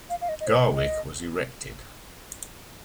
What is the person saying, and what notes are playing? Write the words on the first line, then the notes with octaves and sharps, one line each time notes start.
Garwick was erected.
F5
F5
D#5
D#5
C5
D#5